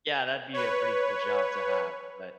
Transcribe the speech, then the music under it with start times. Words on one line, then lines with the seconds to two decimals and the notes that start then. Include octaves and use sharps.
Yeah, that'd be a pretty cool job to have, but
0.53 B4 C#5